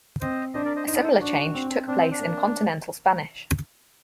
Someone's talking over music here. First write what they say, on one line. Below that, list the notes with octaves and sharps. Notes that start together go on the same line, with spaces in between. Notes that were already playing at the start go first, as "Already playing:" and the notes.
A similar change took place in continental Spanish.
C4 C5 D#5
D4 C5 D#5
A#4 D5
C5 D#5
D#4 C5 D#5
A#4 D5
A4 C5
G4 A#4
D4 F#4
C4
C4 D4
C4
D4
A#3